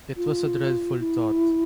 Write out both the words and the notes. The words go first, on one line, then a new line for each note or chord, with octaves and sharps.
It was a dreadful thought.
F4
E4